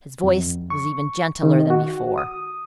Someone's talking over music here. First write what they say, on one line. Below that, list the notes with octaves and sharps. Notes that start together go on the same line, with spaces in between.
His voice was even gentler than before.
F2
C#6
D#3
F#4
D#6